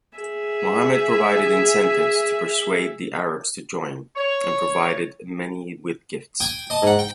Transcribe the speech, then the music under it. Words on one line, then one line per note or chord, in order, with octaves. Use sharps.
Muhammad provided incentives to persuade the Arabs to join, and provided many with gifts.
G#4 E5
C#5
G5 G#5 D#6
D#5 A5
G#2 F#5
G5